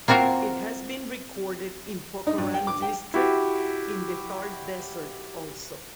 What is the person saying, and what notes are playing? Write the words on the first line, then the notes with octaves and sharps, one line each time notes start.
It has been recorded in Pokaran district in the Thar desert also.
A#3 C4 F4 F#4 A#4
D#4
G2
G5
D6
G5
E4 F#4 G4